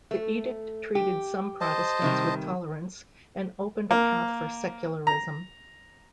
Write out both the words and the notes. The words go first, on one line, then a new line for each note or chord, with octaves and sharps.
The Edict treated some Protestants with tolerance and opened a path for secularism.
A3
G4
C5 D#5 A5
C3 D#3 G3
A#3
A#5